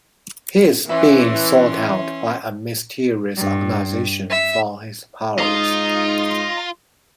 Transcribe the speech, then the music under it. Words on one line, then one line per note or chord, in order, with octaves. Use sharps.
He is being sought out by a mysterious organization for his powers.
E3 C#4 E5 C6
G2
E5
G#2 F4 D#5 A#5